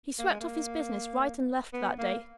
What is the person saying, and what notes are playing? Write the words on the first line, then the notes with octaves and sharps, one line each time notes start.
He swept off his business right and left that day.
A#3
G#3
A#3
B3
A#3